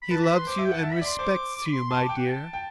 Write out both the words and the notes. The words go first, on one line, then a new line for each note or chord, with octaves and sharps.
He loves you and respects you, my dear.
B5
B4 A5
B5
C6
C5 D6
E5
G5
F#5
A5
E5
B5
D5 C6
C5 D6
D6
B5
C6
A5 C6
D6
G5
F#5
A5
G5